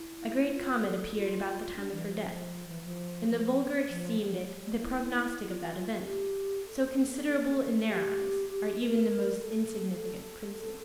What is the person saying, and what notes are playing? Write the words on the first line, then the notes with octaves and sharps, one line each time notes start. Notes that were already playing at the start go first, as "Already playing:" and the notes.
A great comet appeared about the time of her death; and the vulgar esteemed it the prognostic of that event: so considerable in their eyes are even the most insignificant princes.
Already playing: E4
F4
A4
A4
F4
D4
E3
F3
E3
F3
F3
F3
G3
E4
F4
G4
A4
G4
G4
A#4
A4
A4
A4